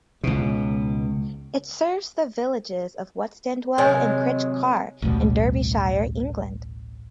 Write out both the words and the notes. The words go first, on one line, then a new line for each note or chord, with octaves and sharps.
It serves the villages of Whatstandwell and Crich Carr in Derbyshire, England.
C#2 B2
C3 D#3 F#3 G#3 C#5 D#5 G#5
A1 D2 B2 G3